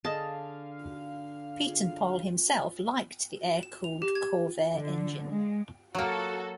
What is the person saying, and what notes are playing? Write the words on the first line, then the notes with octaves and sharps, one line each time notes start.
Pietenpol himself liked the air-cooled Corvair engine.
D3 G#4 D#5 F5 A5
E7
F7
G4
G#6
D3
G#3
F#3 A#3 F#4 A4